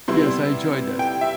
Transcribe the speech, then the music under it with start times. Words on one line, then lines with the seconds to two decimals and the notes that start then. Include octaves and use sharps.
Yes, I enjoyed this.
0.08 C3 G3 B3 E4 C6
0.99 G5
1.21 E5